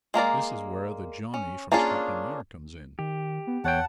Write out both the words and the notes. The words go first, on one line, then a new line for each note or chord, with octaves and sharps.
This is where the Johnny from Scotland Yard comes in.
G#3 A#3 A#4 D5
C#4
A#3 C#4 D4 F4 G#4
D#3 G4
B3
E2 C#5 F#5 G5 A5